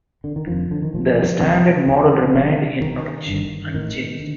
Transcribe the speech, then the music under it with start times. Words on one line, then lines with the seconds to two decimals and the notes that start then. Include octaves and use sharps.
The standard model remained in production unchanged.
0.24 D3
0.36 D#3
0.47 F1 F2 D3 F3
0.71 D3
0.82 D#3
0.94 A#1 A#2 F3
1.41 C2 C3
1.87 D2 C3
2.34 F1 F2 C3
2.81 C2 C3 D#3
3.27 G1 G2 D3
3.74 A1 A2 D#3
4.20 D3